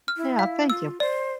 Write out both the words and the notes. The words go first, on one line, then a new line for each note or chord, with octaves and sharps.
Yeah, thank you.
F6
E4
F5
F4 E6
C5 D5